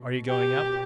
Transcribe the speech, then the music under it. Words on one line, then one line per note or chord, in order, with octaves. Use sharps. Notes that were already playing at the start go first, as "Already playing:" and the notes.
"Are you going up?"
Already playing: B2
G4